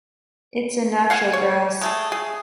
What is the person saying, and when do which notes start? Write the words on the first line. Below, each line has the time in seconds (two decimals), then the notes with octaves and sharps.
It’s a natural grass.
1.10 F5 F#5 G#5
1.33 C#5
1.81 G#3 A3 G#4
2.12 G#4